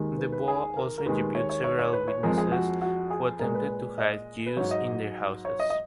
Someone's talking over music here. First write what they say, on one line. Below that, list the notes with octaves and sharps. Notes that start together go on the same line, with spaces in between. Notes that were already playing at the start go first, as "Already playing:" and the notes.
Desbois also interviewed several witnesses who attempted to hide Jews in their houses.
Already playing: D#2 D#3 G#3
B4
B4
G#4
A#4
A#4
D#2 D#3 G#3 B4
C#5
C#5
C#5
C#5
B4
C#5
F2 F3 G#3 A#4
G#4
F#4
F#4
G#4
A#2 G#3 A#4
B4
D#5
B4
G#2 F#3 C#5
D#5
C#5
D#5
D#5